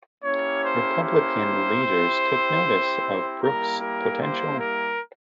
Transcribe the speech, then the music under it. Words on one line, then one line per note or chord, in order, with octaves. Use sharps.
Republican leaders took notice of Brooke's potential.
A#3 C#4 E4 G4 C#5
C5
C5
C4 E4 G4
G3 A#3 E4 G4 A#4
A#4
C5
A#4